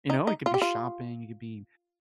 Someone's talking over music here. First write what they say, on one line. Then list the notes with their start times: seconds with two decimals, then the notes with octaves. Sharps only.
you know? It could be shopping, it could be,
0.10 D#4
0.27 D#4
0.46 F4
0.54 G4
0.62 F4